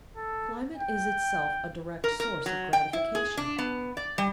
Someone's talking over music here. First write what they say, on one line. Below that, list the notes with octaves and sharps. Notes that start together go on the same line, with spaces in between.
Climate is itself a direct source of gratification.
A4
G5
A#4
A#4
F#3
G5
E4
G#4
D4
B3
D5
G3